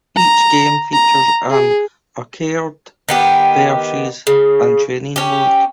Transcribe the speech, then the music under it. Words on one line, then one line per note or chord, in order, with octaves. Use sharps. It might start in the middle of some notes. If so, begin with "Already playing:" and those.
Each game features an "Arcade", "Versus" and "Training" mode.
A#5
A#5
G#4
D#3 B3 G4
C#3
C#4 G4